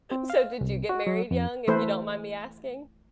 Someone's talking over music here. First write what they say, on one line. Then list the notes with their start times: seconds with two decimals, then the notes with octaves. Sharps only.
So, did you get married young? If you don't mind me asking?
0.11 C4
0.30 F5
0.61 C2
0.89 F#4
1.07 F#3
1.31 F2
1.67 E3 A3 E4 A4 B4 C5